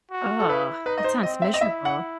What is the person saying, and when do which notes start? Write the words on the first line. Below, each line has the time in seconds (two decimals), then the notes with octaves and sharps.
Ugh, that sounds miserable.
0.11 F#4
0.40 A4
0.49 E4 B4
0.86 D#4 B4
0.98 D#5
1.04 C5
1.23 C4 D#5
1.42 E5
1.54 D#5
1.61 E4 E5
1.85 F#5